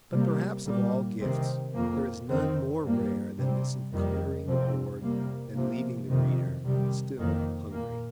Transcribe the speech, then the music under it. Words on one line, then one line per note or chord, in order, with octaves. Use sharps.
But perhaps of all gifts there is none more rare than this of clearing the board and leaving the reader still hungry.
C3 G3 A#3
A#2 G3 A#3
C3 D#3 C4
F2 F3 A#3
F2 D#3 C4
G2 G3 A#3
C3 G3 C4
F2 D#3 G3 A#3
F2 C3 F3 C4
C3 G3 A#3
C3 F3 A#3
F2 C3 D#3
C3 D#3 G3
F2 D#3 A#3
A#2 A#3